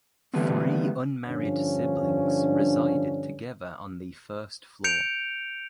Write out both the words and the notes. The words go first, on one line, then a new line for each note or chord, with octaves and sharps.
Three unmarried siblings resided together on the first floor.
D3 E3 G3 A3 B3 C4
G2 D3 F3 C#4 D4
G6 C#7 D7 F7